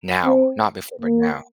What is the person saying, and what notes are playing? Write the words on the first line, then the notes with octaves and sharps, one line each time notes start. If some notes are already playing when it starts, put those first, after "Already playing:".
Now. Not before, but now.
C4
A#3